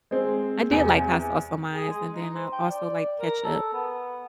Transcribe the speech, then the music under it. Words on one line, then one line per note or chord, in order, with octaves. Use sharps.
I did like hot sauce on my mine's and then I also like ketchup.
G#3 C4
E2 C3
G#4
G#3
D#4
C5
G5
D5
A#4
A4
B3